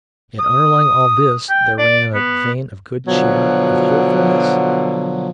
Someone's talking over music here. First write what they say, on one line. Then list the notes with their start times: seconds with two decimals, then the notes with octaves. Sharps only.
Yet underlying all this there ran a vein of good cheer, of hopefulness.
0.39 D#6
1.49 G5
1.79 D5
2.15 B3
3.07 B2 D3 F3 F#3